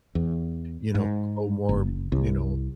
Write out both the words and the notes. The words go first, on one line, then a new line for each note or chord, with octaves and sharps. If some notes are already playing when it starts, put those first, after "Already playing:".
you know, grow more, you know,
E2
G#2
F#1
C2